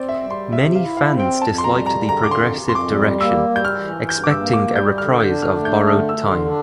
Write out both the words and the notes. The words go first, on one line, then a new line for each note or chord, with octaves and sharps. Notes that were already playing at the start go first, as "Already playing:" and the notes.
Many fans disliked the progressive direction, expecting a reprise of "Borrowed Time".
Already playing: C4 C5 D5
E5
G3
C6
C3 E5
F5
E4
F5
C4
G5
F2 A5
C6
A#5
G3
A#5
D3
A#5
D6
F2 C6
F2
C6
D6
G3
A#3 E6
G3
G6
F6
E3
G2 G6
D6
E6
A#3
D6
G3
G6
D3 F6
G6
D4
F6
A3
G6
D3 F6
E6
D3
C6
D4